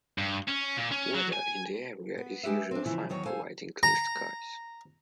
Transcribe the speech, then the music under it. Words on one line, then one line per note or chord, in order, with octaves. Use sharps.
Weather in the area is usually fine providing clear skies.
G2
C#4
A#2
C#4
F#3
G#5
B3
G#3 G4 B4 E5
C4 D4
C#3 E3 F3 E4
E2 D#3 F#3 C#5
A4 C5 F5 G#5
A#5